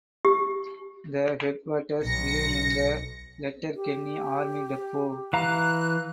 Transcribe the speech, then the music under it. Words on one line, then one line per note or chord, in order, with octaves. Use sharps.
The headwaters begin in the Letterkenny Army Depot.
G4
B1 A#6 C#7
G4
E3 F5 A#5 F#6